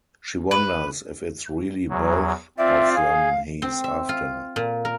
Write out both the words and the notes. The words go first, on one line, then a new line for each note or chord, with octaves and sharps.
She wonders if it's really both of them he's after.
B4
E2 F#3
C4 F4 D5 E5
G#4 F5
C4
E5
F4
A#2
A#4